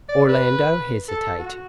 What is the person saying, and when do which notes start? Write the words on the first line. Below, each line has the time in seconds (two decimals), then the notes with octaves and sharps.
Orlando hesitated.
0.09 D5
0.29 B4
1.08 A4
1.39 F#4